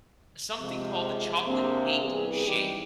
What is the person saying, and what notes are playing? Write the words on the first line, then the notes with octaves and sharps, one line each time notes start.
something called the Chocolate Cake Shake
C3 F3 G#3
C3 A#3 C4 D4 G#4
C2 E3 B3 G4 G#4 B4
G#1 G2 C3 D#3 E3 G4